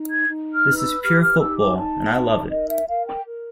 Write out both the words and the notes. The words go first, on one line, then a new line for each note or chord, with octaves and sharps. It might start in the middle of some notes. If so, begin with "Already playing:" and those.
This is pure football and I love it.
Already playing: D#4
G#6
D#4
F6
B4
E6
G4 F6
F6
D#4 E6
D6
D#4 A5
D#4
A#4 D#5
E5
A#4 F5
G5
A#4